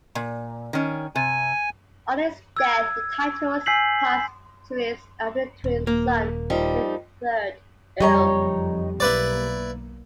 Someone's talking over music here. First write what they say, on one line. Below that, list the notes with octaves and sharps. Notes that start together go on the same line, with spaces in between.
On his death the titles passed to his eldest twin son, the third Earl.
A#2
D#3 C#4
C3 G#5
E6 G#6
G#5 E6 G6 B6 C7 F#7
D#1
A#3
F3 G3 D#4
F#1 F2 G3 D#4 C#5 A#5
B1 A#3 E4 B4 D5 D6